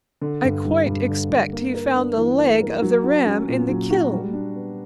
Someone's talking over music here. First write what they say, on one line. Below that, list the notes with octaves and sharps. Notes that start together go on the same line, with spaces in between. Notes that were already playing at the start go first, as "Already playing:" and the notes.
I quite expect he found a leg of the ram in the kiln.
D3
G2
G3
G2
D3
G2
A#3
A#4
D4
E3
A#3
A#4
F#3
F#4
C#4
A#2
F#3
F#4
G3
D4
B3